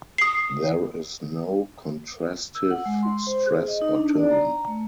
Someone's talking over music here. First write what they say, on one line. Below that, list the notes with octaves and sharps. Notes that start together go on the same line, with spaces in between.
There is no contrastive stress or tone.
D#6 C7
E6
F#5
G#3
C6
C5
G#4
D#5
D#4
D4
D5
A#5
A3